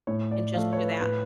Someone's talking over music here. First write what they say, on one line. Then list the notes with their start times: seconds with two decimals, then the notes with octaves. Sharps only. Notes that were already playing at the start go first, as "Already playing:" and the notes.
And just do that.
0.07 A2 C#5
0.31 D5
0.54 F3 F5
0.57 A3
0.73 C#5
0.77 B4
1.01 A2 B4